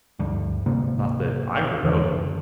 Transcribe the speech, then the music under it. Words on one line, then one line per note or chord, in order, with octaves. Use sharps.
Not that I heard of.
D2 G2
G#1 C3 A#3
E1 D3 E3 D4
F#1